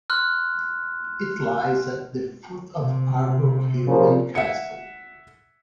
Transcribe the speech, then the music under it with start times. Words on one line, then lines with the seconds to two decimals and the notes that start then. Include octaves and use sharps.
It lies at the foot of Aarburg hill and castle.
0.10 C6 F6 F#6
2.80 C3
3.88 A#2 C#3 F3
4.35 E5 F#5 C#7